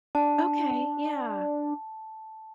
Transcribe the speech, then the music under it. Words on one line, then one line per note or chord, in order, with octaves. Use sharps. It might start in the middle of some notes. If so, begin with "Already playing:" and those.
Okay, yeah.
D4 A5